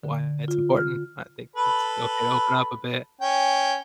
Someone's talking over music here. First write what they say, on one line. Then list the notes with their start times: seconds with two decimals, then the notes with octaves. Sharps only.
why it's important, I think it's okay to open up a bit,
0.04 D3
0.48 F4
0.77 F6
1.56 A4 B4 B5
3.21 C#4 G5